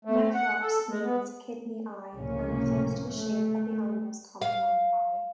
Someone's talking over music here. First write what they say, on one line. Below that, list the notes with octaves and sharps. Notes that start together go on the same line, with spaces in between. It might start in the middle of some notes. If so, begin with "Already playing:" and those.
"Nephrops" means "kidney eye" and refers to the shape of the animal's compound eye.
A3
F#5
A4
G#3
B3
C#2 A2 C3 F3 A#3 C#4
A3
F5